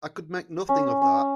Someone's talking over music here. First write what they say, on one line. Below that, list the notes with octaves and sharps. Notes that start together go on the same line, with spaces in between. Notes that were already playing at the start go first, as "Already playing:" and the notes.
I could make nothing of that.
C#4
C#4